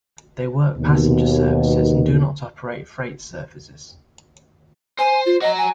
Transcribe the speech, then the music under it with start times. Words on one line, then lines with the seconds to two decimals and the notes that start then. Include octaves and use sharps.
They work passenger services and do not operate freight services.
0.77 D#2 B2
4.99 C5 G#5
5.26 F4
5.42 F#4 D#5 A#5
5.58 G#5